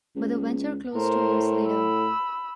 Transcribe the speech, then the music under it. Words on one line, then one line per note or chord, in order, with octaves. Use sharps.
But the venture closed two years later.
C#2
A2 A#4 C5
B5 E6